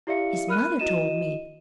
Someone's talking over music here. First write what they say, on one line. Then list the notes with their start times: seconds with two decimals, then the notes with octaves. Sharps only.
His mother told me.
0.07 E4 G4 D5 E5 F5 C#7
0.48 A#4 B5 F6 F#6 D#7
0.79 E4 F#4 D#5 D#7 E7